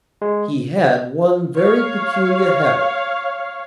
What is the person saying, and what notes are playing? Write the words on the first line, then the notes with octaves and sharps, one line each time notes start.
He had one very peculiar habit.
G#3
C#5 F5